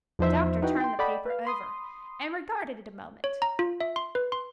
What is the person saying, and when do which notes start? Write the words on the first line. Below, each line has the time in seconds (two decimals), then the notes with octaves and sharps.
The doctor turned the paper over and regarded it a moment.
0.19 E2 F3 D#4 C5 E5
0.62 D#4 E4 F#4 B4 G5
0.80 G5 C6
0.99 A4 D5 D#5 F#5 G5 B5
1.26 B4 F5
1.45 B5 C6 D#6
3.24 C#5
3.42 A#5
3.59 F4
3.80 E5
3.96 C6
4.15 B4
4.32 C6